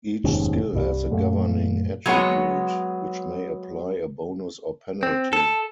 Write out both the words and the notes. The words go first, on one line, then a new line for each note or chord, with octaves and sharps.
Each skill has a governing attribute, which may apply a bonus or penalty.
F1 D#2 G#2 C#4
C2 G2 G3
F#2 A#2 A3
F#3 G#3 B3 C#5 F#5
C4
A4